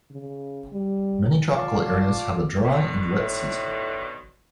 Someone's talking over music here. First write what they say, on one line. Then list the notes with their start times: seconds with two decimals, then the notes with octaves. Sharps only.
Many tropical areas have a dry and wet season.
0.11 C#3
0.73 G3
1.51 F4 D5 F5 A5 C#6 D6
2.64 B2 D3 D#3
3.19 A2